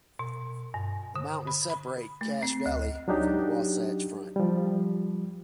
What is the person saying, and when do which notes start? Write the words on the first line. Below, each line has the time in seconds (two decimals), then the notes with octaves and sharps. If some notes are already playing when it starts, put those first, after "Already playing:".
The mountains separate Cache Valley from the Wasatch Front.
0.19 B2
0.74 G2
1.16 D3
1.47 B5
1.70 B5
2.21 A3
2.43 C4
2.66 D2
3.08 F#3 D4 D#4 G4
4.36 F3 G3